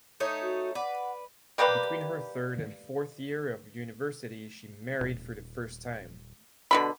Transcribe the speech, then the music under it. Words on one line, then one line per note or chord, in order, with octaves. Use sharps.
Between her third and fourth year of university she married for the first time.
A3 D#4 C#5
F#4
B4 D5 F#5
G3 A#3 G4 B4
D#1
B2 D3 B5